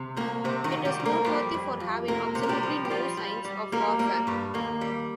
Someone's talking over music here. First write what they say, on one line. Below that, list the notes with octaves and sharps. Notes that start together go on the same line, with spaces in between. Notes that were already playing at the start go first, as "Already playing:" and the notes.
It is noteworthy for having absolutely no signs of warfare.
Already playing: C3
C2 A#3
C2 C3 C4
D#3 D#4
C2
G3 G4
C2
A#3 A#4
F2 G3 G4
F2
F2
C3 A#3 A#4
C3
A#4
G3 G4
F3
G4
F3 G3 F4
G3
G3
G3 A#3 A#4
G3 A#3 A#4
G2 G3
D#2 A#3
G3